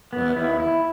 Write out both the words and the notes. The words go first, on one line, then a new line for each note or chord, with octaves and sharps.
but, uh
B3
E4
E4